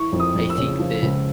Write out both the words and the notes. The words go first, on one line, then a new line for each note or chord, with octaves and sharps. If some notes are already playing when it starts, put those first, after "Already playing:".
I think that,
Already playing: E3 C#6
F2
D#6
F2
E6
C#3
F3
C#2